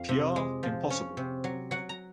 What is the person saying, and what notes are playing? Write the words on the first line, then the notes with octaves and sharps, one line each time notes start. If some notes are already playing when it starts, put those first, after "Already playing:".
Pyaar Impossible!
Already playing: F2 F5
C3
G#3
F3
C#4
C3
F#3
F#3 F#5
A#5